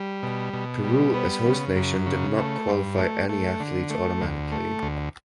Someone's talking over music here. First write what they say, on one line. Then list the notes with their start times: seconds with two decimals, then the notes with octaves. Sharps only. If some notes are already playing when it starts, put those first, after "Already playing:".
Peru as host nation did not qualify any athletes automatically.
Already playing: G3
0.23 B2
0.53 B2
0.84 G3
1.14 B3
1.46 C#3
1.76 F#2
2.07 C#3
2.38 A3
2.68 G2
2.98 A3
3.29 A3
3.60 D3
3.90 A3
4.21 D2
4.52 A3
4.83 D2